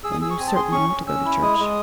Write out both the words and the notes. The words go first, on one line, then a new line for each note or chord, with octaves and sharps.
"Then you certainly ought to go to church."
G#4 E6
D#6
G#4 E6
C#6
C4 G#5
A5
G#4 C6
C#4 C#6
C#4
C#4 E6
E4
G#3 D#6
G#3